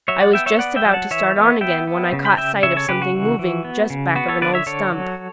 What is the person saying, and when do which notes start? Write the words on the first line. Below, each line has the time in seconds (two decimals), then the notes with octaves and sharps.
I was just about to start on again when I caught sight of something moving just back of an old stump.
0.08 F#3 C#5 E5
0.21 D5 F#5
0.33 B3 E5 G5
0.46 C#5 E5
0.59 B3 D5 F#5
0.76 E5 G5
0.86 F#3
0.93 F#5 A5
1.11 E3 C#5 E5
1.36 B3
1.61 B3 E5 G5
1.87 B3
2.12 C#3
2.25 G5 B5
2.37 C#3 E5 G5
2.63 C#3 C#5 E5
2.76 A4 C#5
2.88 C#3 G4 B4
3.02 F#4
3.14 E3
3.39 E3
3.65 B3
3.90 C#3
4.15 B3 F#4
4.28 A4 C#5
4.41 D3 B4 D5
4.54 C#5 E5
4.66 D3 A4 C#5
4.92 F#3